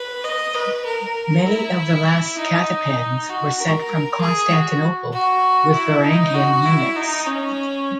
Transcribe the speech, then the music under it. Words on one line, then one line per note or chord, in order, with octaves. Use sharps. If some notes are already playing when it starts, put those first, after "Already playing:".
Many of the last catepans were sent from Constantinople with Varangian units.
Already playing: B4
D#5
B4
A#4
E4
D#4
F#4
A#4
G#4
F#4
F#4
E4
D#4
F#4
E4
D#4
C#4